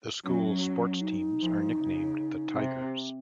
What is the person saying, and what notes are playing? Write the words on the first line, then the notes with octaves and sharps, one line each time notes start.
The school's sports teams are nicknamed the Tigers.
F#3 C#4
D#4
F3
C#3
C3